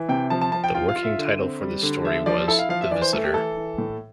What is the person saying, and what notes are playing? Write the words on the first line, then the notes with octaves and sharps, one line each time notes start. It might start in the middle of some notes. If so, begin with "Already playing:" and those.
The working title for this story was "The Visitor".
Already playing: E3
C3 G5
F3 A5
A5
F3 A5
G5
F4 G5
F5
F4
E5
D3
C4
G3
D3
F3 E5
F3 D5
E4 A4
F5
F3 F5
E5
E3 D5
C5
A3 A4
G4
E3 A4
E3
A2